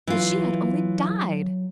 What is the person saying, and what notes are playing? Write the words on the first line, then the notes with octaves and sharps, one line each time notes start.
If she had only died!
E3 F#3 F4